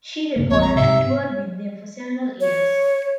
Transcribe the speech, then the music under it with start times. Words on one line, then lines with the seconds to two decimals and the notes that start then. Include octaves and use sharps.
She recorded and toured with them for several years.
0.36 F#2 C#3 A#3
0.50 A#1 F2 C4 C#5
0.61 A#5
0.76 G#2 C3 E5
2.41 C#5